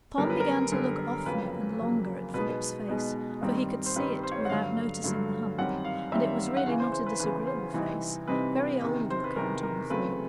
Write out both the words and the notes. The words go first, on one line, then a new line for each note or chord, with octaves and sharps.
Tom began to look oftener and longer at Philip's face, for he could see it without noticing the hump, and it was really not a disagreeable face,--very old-looking, Tom thought.
F#2 D3 G3 B3 A#4
B4
A#4
F#2 D3 G3 B3
F2 C#3 F#3 A#3 B4
F2 C#3 F#3 A#3
B2 G#3 B3 D#4 B4
B2 G#3 B3 D#4
G2 D#3 G3 C4 D#4
C5
G2 D#3 G3 C4 D#4 B4
C5
C#5
C5
F#5
G2 D3 F#3 A3 F5
G2 D3 F#3 A3
F#2 D#3 G3 C4 F#5
F5
F#2 D#3 G3 C4 E5
F#5
E2 C#3 E3 F5
C5
C5
B4
E2 C#3 E3 B4
C5
C3 E3 G3 C4 D#4
C3 E3 G3 C4 D#4 B4
E2 C3 D#3
C5
B4
E2 C3 D#3 A#4
A#4
E2 C#3 F#3 A3 C4 B4